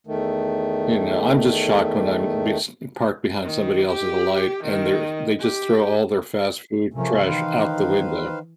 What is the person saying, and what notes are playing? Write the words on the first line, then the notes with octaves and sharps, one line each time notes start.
You know, I'm just shocked when I'm bes parked behind somebody else's light, and they're they just throw all their fast food trash out the window.
E2 D#3 A3
D#3
G4
D#3
G4
C3 F3 A3 A#3 C#4
D#3 E3 B4 C5 F5